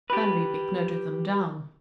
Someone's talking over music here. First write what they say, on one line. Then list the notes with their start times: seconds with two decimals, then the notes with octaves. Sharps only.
Van Riebeek noted them down.
0.10 G4 B4